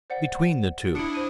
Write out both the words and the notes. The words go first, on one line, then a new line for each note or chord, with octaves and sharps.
"Between the two."
C5 D5 F#5
A6
D4 E4 D#6 C#7 D7
C5 D#6 D#7